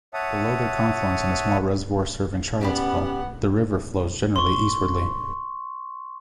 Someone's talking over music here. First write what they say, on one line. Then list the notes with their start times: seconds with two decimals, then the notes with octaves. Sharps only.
Below their confluence in a small reservoir serving Charlottesville, the river flows generally eastwardly.
0.14 C#5 E5 F#5 A5 D#6
2.61 B3 C#4 G4 D5 F#5 B5
4.36 C6 C#6